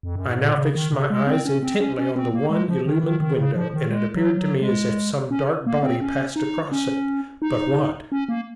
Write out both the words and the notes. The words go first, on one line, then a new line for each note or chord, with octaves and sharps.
I now fixed my eyes intently on the one illumined window, and it appeared to me as if some dark body passed across it: but what?
F2
F#2
G#2
A#2
C#3
D#3
C3
G#3
C4
C#4
C4
C#4
C#4
C4
A#3
G#3
F3
D#3
D#3
D#3
C#3
F3
D#3
G#3
F#3
F#3
G#3
C#4
A#3
C4
C#4
D#4
C#4
D#4
C#4
A#3